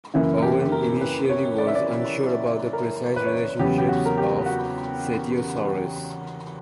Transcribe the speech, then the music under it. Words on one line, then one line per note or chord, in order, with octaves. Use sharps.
Owen initially was unsure about the precise relationships of "Cetiosaurus".
F#2 C#3 E3 A#3 E4
G4
G4
A#4
B4
C#5
D5
E5
D5
A#4
B4
C#5
B4
E2 C#3 F#3 B3 G4
G4
F#4
A#4
G4
F#4